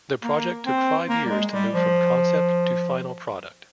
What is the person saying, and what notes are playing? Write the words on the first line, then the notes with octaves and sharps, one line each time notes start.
The project took five years to move from concept to final product.
A#3
C4
A#3
G3
G#3
G3
F3